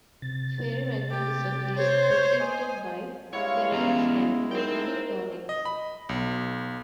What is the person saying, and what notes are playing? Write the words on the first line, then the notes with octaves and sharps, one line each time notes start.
Ferrimagnetism is exhibited by ferrites and magnetic garnets.
C3 A6
G4
C5 C#5
D#5 G#5
G2 G3 G#3 E4 C#5 F5
E2 B3 C#4 A#5
D#4 A#4 C5 G5
D#5
B5
B1